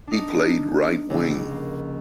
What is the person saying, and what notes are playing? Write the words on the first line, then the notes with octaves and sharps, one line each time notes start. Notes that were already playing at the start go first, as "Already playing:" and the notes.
He played right wing.
D4 D#4
F1 C#2
A#3